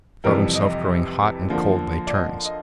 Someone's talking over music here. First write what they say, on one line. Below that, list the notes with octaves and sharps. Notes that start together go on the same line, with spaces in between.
He felt himself growing hot and cold by turns.
F2 C3 E3 G3 A#4
D#5
D3 F3 A#3
D5
D#5
D#5